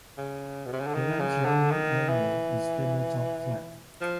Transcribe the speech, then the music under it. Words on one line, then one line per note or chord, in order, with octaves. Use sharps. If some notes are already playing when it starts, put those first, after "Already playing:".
The land surrounding Elmore is tabletop flat.
C#3
B2
C3
C#3
D3
D#3
C#3
D3
D#3
E3
F3